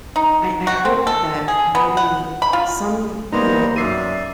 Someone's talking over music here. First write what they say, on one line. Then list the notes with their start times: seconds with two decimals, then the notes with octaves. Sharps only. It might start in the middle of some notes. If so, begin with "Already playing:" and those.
I I hope that maybe some, you know,
0.16 D#4
0.67 F#4
0.85 C4
1.07 A4
1.48 G#4
1.75 B3
1.97 F#5
2.42 B5
2.53 F4
3.32 G3 A#3 B3 D#4 C5 A#5
3.76 F#2 D5 E5 C7 D#7